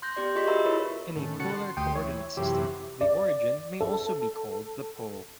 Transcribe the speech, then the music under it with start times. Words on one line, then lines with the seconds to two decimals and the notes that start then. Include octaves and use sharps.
In a polar coordinate system, the origin may also be called the pole.
0.02 C6 F#6 G6 A#6
0.16 B3 G4 D5 C6
0.35 F4 G#4 D#5 C6 C#6 B6
0.47 F#4 A#4 E5 A#5 B5 E6
0.65 E4 A#4 B4 C#5 B5 C#6
1.16 A2 D#3 C#4
1.40 C#3 F#4 A4 C#7
1.55 C6
1.77 D2 G4 G5 C6 D#6
1.95 E3 C#5
2.37 F#2 C3 E3 G4
3.01 D5
3.81 A4